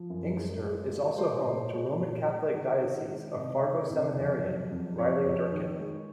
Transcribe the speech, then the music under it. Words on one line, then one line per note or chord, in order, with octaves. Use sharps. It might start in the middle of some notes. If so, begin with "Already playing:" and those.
Inkster is also home to Roman Catholic Diocese of Fargo seminarian, Riley Durkin.
Already playing: F3
F#2
G#3
G#3
G#3
G#3 C5
D#5
A#2 C#5
G#3
A#2
G#3
D#3
D#3
G#3
C3 D#5
D#3
C3
F2
F#3
F2
F2 C#5
F2
D#3
G#3